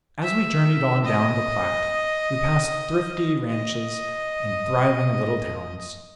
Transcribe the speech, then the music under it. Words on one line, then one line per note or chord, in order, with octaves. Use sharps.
As we journeyed on down the Platte, we passed thrifty ranches and thriving little towns.
E5
D#5
D#5